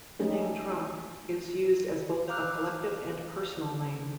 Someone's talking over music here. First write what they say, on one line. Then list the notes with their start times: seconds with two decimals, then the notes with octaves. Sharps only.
The name "Drakh" is used as both a collective and personal name.
0.20 F3 G#3 A3 C#4 D#4
2.28 C5 F5 A#5 D6 F6 F#6